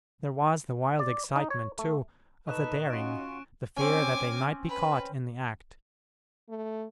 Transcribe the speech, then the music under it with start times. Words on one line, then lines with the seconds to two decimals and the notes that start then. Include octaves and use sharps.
There was the wild excitement, too, of the daring; the fear that they might be caught in the act.
0.99 D5
1.36 D#4
1.50 C#5
1.79 A3
2.47 A#2 D#4 A4 B4 C#6 F#6 E7
2.90 C#4 F4 F#4 C#6 D7
3.77 C4 C#4 G#5 D6
4.69 B4
6.49 A3